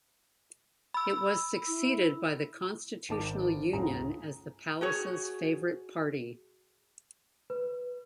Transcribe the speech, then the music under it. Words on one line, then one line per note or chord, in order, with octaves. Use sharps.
It was succeeded by the Constitutional Union as the palace's favourite party.
B5 E6
E4
G#1 D#3 A5 D6
G1 C#2 A2 G#4 A#5
F#4 G#4 C#5
B4